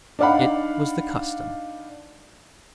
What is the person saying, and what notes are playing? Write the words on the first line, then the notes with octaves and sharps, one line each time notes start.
It was the custom.
D4 D#4 D5 F5 F#5 B5